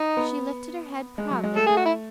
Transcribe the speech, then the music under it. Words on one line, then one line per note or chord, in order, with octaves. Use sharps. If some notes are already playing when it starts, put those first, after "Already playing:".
She lifted her head proudly.
Already playing: D#4
B3
G#3
F#3
G#3
A3 A4
A3 G#4
F#4
E4